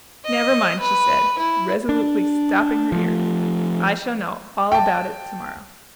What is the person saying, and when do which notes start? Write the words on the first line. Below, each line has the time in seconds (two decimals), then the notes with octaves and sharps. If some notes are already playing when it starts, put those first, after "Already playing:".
"Never mind," she said, resolutely stopping her ears, "I shall know all about it to-morrow."
0.24 D#5
0.80 B4
1.38 E4
1.89 D4
2.92 F3 A3
4.72 G5 A5